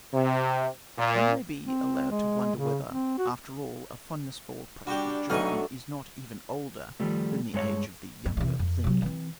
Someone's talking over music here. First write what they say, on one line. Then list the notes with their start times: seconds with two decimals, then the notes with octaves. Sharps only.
One may be allowed to wonder whether, after all, a fondness for practical joking is not even older than the age of the younger Pliny.
0.13 C3
0.97 A#2
1.67 C4
2.11 G#3
2.56 C#3
2.89 C4
3.18 F#4
4.87 G3 D4 F#4 G4
5.30 B1 F#3 A3 D#4 F#5 G#5 F6
7.00 D#3 F3 G3 A3
7.53 G2 G#3 G#4 C#5
8.25 F2
8.37 E2 C3
8.59 F2
8.84 C3 F#3
9.02 E3 C4